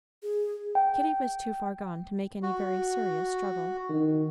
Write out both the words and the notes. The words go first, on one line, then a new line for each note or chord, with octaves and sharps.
Kitty was too far gone to make any very serious struggle.
G#4
G5
F#4
D#3